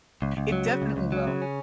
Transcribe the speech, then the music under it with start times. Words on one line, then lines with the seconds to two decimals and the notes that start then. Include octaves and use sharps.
It definitely will.
0.22 C#2
0.37 C#2
0.52 F#3
0.67 C#3
0.82 C#2
0.97 C#2
1.12 F#3
1.27 C#3
1.42 C#4